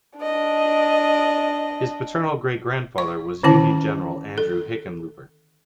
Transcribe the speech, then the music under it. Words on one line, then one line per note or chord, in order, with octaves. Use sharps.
His paternal great-grandfather was Union general Andrew Hickenlooper.
D4 D#5
C#6
D3 D#3 C#4 E4 A5
A4